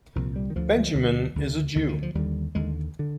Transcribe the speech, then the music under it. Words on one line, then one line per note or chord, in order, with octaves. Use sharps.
Benjamin is a Jew.
C2 A#2 F3
G3
D#3
D2 D3 F3
F3
D2 D3
D2 D3
D2 D3 D#3
D#3
F3
D#2 D3 G3
D#2 D3 G#3
D3